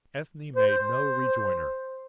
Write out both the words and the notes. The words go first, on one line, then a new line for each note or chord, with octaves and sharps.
Ethne made no rejoinder.
C5